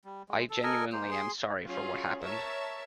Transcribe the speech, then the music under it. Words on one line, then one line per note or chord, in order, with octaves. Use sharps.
I genuinely am sorry for what happened.
G3
G#3
A4
A4 A#4 D#5 G#5
G#3 A#3 C5
G#4 C6
F#3 C#4 F4 G#4
A#4 C#5 E5 A5